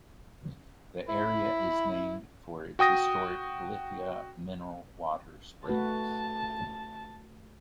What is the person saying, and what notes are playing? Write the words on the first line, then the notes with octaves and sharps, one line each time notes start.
The area is named for its historic "lithia" mineral water springs.
E4 B5
F#4 G5 D#6 A#6
A3 F#4 B4 A5